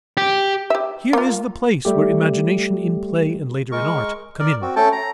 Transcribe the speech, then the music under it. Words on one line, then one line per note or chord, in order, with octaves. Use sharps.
Here is the place where imagination in play and later in art come in.
G4
G4 E5
A#3 F4
G3 A3 G4
G#3 A#4 C#6
A#4 D5
C4 F#4
A3 C#4 A4 G5 A5
A#5